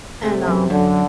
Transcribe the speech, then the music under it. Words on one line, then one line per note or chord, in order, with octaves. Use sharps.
And, um,
C3 A3
F#2
F#2 D3